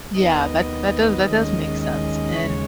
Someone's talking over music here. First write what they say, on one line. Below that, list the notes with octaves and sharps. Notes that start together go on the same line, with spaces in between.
Yeah, that that does that does make sense. And,
D#2 D#3 B3 D#5
D#2 D#3 G#3 C#4 D#5
D#5
D#2 C#3 G#3 C#5